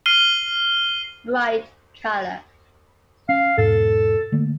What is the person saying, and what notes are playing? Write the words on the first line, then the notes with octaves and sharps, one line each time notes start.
Bright color.
F6 C7 D#7 G7
C#4 F5
E2 G#2 B2 A4
D3 A3 A#3